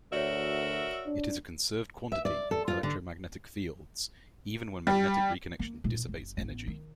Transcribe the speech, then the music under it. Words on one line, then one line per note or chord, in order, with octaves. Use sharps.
It is a conserved quantity in electromagnetic fields, even when magnetic reconnection dissipates energy.
D2 F#4 A#4 C#5 D5 E5
D4
E5
D5
A4
F4
D3
G3
A#3
A#2 D#4
F#1
A1 B3
D#3